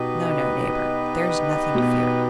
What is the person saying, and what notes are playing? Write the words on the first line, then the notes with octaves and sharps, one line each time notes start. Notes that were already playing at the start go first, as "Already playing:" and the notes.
No, no, neighbor, there's nothing to fear!
Already playing: B2 B3 D#4 G4 B4 D#5
B2